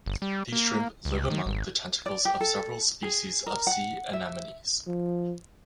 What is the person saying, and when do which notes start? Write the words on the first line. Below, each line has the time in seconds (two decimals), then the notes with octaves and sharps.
These shrimp live among the tentacles of several species of sea anemones.
0.06 G1
0.22 G3
0.53 A#3
1.05 C#2
1.30 D#3
1.46 G#1
2.06 D5
2.25 G4
2.40 A4
3.03 G#4
3.46 A#4
3.67 F#5
4.13 E5
4.87 F3